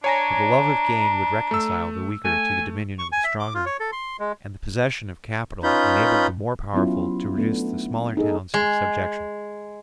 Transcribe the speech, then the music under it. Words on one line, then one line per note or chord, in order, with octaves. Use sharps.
For the love of gain would reconcile the weaker to the dominion of the stronger, and the possession of capital enabled the more powerful to reduce the smaller towns to subjection.
D4 C#5 G#5 A#5 A#6
A3 E6
A3 G#5
C#6
G#5
E5
D6
F4
C#5
A4
C6
G#3
C#4 D#4 F4 B4 B5 G6
F#3 B3 C#4 E4 F4
A3 B3 D4
D#4 G#4 A4
G#3